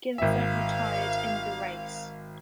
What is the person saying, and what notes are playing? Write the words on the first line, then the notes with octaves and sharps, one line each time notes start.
Ginther retired in the race.
G#1 E5 F5